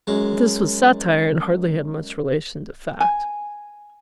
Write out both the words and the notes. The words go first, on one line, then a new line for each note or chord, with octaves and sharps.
But this was satire and hardly had much relation to fact.
F#2 G#3
G#5